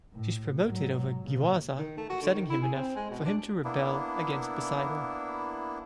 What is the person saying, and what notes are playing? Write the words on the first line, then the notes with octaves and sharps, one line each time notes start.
She is promoted over Giwaza, upsetting him enough for him to rebel against Poseidal.
A2
G#2 F#3
A#2 C#3
D#3
A3
F#4
D3
D#3
E4
G#4
C4
G#3
B2
D4
A#3 B3 D4 E4